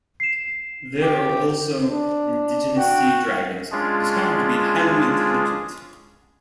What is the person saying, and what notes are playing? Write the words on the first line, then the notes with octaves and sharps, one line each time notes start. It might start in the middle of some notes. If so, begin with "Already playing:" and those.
There are also indigenous sea dragons, discovered to be highly intelligent.
C7 E7
G4
D4
F#4 G5
G#3 C#4 D4 F4 G#4